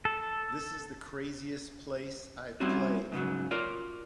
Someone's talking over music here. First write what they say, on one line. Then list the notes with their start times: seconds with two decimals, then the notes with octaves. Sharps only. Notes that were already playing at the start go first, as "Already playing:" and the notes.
This is the craziest place I've played.
0.05 A4
2.60 G3 A#3 C4 C#4 E4 F#4
3.12 G#2 C#3 F3 F#3
3.51 F4 A#4 C#5 D5